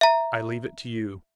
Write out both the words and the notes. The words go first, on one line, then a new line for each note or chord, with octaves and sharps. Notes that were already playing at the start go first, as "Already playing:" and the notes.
I leave it to you.
E5 A#5